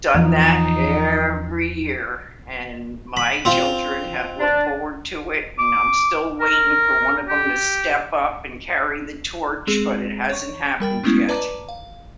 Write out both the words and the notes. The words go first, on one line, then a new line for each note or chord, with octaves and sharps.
done that every year, and my children have looked forward to it, and I'm still waiting for one of 'em to step up and carry the torch, but it hasn't happened yet.
E2 E3 F3 D#4
B5
C4 F4
D4
D6
A#4
G4
G#3 C4 G#4
C#5 C#6
G3 A#4 G5 A6
G#3 A3 B3 C#4 E4
B4 D5 A5 A#5 D6
F5